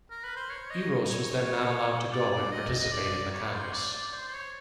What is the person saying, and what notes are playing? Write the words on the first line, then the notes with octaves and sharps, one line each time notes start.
Eros was then not allowed to go and participate in the congress.
A#4
B4
C5
C#5
D#5
C#5
C#5
D5
D5
D#5
D#5
D5
C#5
C5
D5
D5
C5
C5
C#5